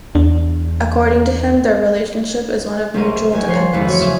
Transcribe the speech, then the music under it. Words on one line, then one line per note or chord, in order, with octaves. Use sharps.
According to him, their relationship is one of mutual dependence.
E2 D4
C2 A3 C4 C#4 A#4 D#7
F#1 C#2 G#5
F3 C5 C#5 C7
G1 E2 E3 A3 B4 F#5
C4 F#4 C#5
F#2 C#3 F4 G#4 E5